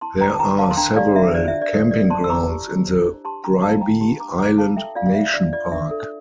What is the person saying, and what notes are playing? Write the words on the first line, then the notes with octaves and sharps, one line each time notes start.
There are several camping grounds in the Bribie Island Nation Park.
E4 A5 C6
G4 G5 A#5
A5
E4 G5 A#5
A#4 F5 A5
C6
D4 G5 A#5
G4 D5 F5
D4 E5
C5 D5
E5
D4
D5
A4
D4 D5
C5 A5 C6
E6
E4 A#5 D6
G4
E4
C5
D4
G4 A5 C6
D4 G5 A#5
C5 F5 A5
D4 G5 A#5
G4 A5 C6
D4 A#5 D6
C5 A#5 D6
F4 F5 A5
A4 E5 G5
F4 D5 F5
F5
C5 E5
D4 D5
F4 D5
D4 E5
A4